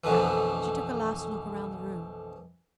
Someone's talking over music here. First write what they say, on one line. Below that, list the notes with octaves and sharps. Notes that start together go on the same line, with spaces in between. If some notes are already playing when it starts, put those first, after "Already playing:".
She took a last look round the room.
A#1 F2 B2 D3 E3